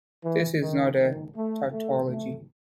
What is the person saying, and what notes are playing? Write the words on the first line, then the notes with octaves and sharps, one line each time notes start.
This is not a tautology.
E3
D#3
D#3
A3
A3
A3